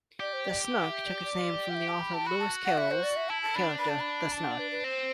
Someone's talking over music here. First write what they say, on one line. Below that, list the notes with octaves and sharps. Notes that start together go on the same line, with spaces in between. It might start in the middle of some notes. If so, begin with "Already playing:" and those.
The Snark took its name from the author Lewis Carroll's character the "snark".
G4 D5
C5
D5
F#5
E5
D5
D5
F#5
E5
A5
B5
A5
F#4 B5
A5
F#5
E5
C5
D5
E5
E4 A5
A5
D4 B5
B5
A5
B5
A5
F#5
B4
B4
C4 C5